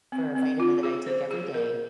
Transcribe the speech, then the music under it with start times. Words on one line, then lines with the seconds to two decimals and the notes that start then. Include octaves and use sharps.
for a vitamin that I take every day,
0.12 C4
0.35 C4
0.60 F4
0.83 G#4
1.07 C5
1.31 G#4
1.54 A#4